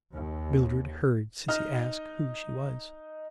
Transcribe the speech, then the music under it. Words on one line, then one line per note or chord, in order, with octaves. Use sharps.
Mildred heard Cissy ask who she was.
D#2
D#4 D#5 F6